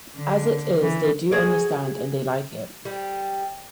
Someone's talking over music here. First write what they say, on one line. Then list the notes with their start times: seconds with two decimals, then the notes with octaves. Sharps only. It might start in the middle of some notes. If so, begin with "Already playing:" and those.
As it is, they do understand, and they like it.
0.19 D3
0.82 E3
1.31 F#4 G#4 D5
2.85 G3